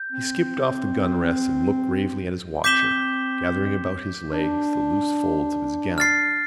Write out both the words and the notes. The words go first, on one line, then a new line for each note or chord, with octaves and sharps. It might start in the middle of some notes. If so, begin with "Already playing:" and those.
He skipped off the gunrest and looked gravely at his watcher, gathering about his legs the loose folds of his gown.
Already playing: G6
C4
C4 D6 G6 B6 E7 G7
D4
F6 A6 C7